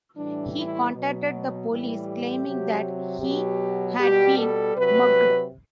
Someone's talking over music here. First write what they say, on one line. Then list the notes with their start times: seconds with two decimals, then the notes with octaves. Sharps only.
He contacted the police claiming that he had been mugged.
0.15 A2 E3 G3 D4
0.54 E4
0.93 B2 F#3
1.69 A2 E3 G3
2.07 G4
2.46 C3 F#3
3.21 B2 F#3 G4
3.98 B2 G3 G4
4.37 A4
4.75 C3 F#3 B4